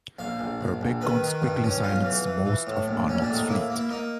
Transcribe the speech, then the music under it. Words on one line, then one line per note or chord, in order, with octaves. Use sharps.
Her big guns quickly silenced most of Arnold's fleet.
A#1 F5
A#1
A#1
A#1
D#3 B4
D#3
G2
C#4
B1 F4
E3
E3
E3
A2
A#1
A#1 C#4
D4
A2
D#4
A#3 E4
A#3
E4
A#3 D#4